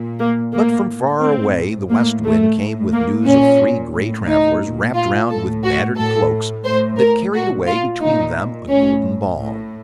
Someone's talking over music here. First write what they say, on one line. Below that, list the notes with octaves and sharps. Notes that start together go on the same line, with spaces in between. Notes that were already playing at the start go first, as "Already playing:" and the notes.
But from far away the West Wind came with news of three grey travellers wrapt round with battered cloaks that carried away between them a golden ball.
Already playing: A#2
A#3
A2 A#3
A2 C4
A2 A#3
A3
A2
A#3
A#2 C#4
A2
D#4
A#2
F4
A2 A4
F#4
A2 A4
A2 C5
A#4
A#2 F#4
F4
A#2 D#4
A2 C#4
A2